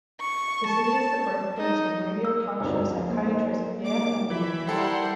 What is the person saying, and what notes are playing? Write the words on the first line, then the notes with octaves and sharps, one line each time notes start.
The city is the birthplace of radio talk show psychiatrist Pierre Mailloux.
C#6
A5
D#4
E6
D2 G2 C#3 C4 D#4 A#4
G2 A#3 D#4 C5
D#2 C3 F#3 D6
E3 E5 B5
G3 E4 A4 A#4 C5 F#5 G5 C6